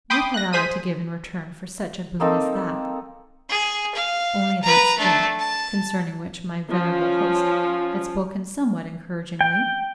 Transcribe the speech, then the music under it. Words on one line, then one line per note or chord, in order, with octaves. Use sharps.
What had I to give in return for such a boon as that? Only that strength concerning which my venerable host had spoken somewhat encouragingly.
G5 B5 C6 D6 D#6
F#6 A#6
G#4 C5 B6 D#7
A#3 C4 D#4 A4
G#4
F5
B4 A#5
A3 D4
A5
F3 C#4
G5